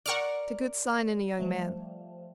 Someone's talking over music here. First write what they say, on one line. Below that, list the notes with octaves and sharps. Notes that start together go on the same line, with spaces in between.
It's a good sign in a young man.
A#4 D5 F#5 C#6 F6
F3 G3 A3